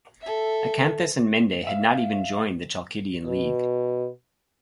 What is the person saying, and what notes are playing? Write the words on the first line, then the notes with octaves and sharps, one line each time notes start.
Acanthus and Mende had not even joined the Chalkidian League.
A4 E5
E5 F5
B2